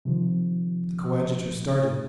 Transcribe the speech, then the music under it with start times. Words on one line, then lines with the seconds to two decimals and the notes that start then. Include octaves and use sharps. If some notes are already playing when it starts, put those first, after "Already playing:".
The coadjutor started.
0.05 C3 D#3 F3